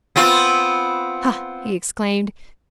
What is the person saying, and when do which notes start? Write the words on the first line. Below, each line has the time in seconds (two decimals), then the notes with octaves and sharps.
"Huh!" he exclaimed.
0.16 B3 C4 F4